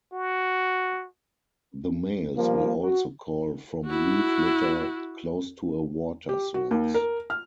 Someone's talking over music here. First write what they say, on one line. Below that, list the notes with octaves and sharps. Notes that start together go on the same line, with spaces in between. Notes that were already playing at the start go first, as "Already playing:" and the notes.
The males will also call from leaf litter close to a water source.
F#4
F3 G3 A#3
F#4
E4 F#4
G4
F#4
D#2
A#4
F6